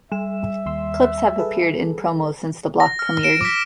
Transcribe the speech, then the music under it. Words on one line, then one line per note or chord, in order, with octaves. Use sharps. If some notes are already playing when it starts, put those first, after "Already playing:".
Clips have appeared in promos since the block premiered.
G3 E5 E7
D#2 C6 E6
G#4 A4 B4
A#6
F6
D7 E7
D6 B6